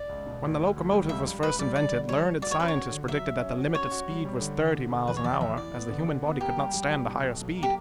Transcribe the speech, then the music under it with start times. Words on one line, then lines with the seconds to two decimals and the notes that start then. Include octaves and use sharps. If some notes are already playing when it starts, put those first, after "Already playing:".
When the locomotive was first invented learned scientists predicted that the limit of speed was thirty miles an hour, as the human body could not stand a higher speed.
Already playing: D5
0.09 C#2
0.26 B2
0.43 D2
0.60 D2
0.76 D2
0.93 G3
1.09 C#2 E5
1.26 G3
1.42 C#2 B4
1.59 G3 D5
1.75 G3 D5
1.92 D3
2.09 G3 C#5
2.25 G3
2.42 F#4 D5
2.51 C#5
2.59 C#4 B4
2.68 C#5
2.75 F#4
2.91 D3
3.08 F#3 E5
3.25 F#3
3.42 C#4
3.58 F#4
3.74 C#4 C#5
3.91 F#4
4.09 G3
4.25 G3
4.41 D3
4.58 D3
4.74 D3
4.91 D3
5.08 E2 B4
5.16 C#5
5.24 E2 D5
5.40 E2 E5
5.57 E3 D5
5.74 B3
5.91 D3
6.07 D3
6.23 B3
6.41 A#3 G4
6.57 G3
6.74 G3
6.91 G3
7.06 B2
7.23 B1
7.40 B1
7.57 A#3
7.63 G4